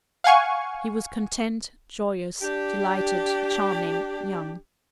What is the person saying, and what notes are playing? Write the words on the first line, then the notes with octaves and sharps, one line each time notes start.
He was content, joyous, delighted, charming, young.
F5 F#5 G#5 C#6
D4 G4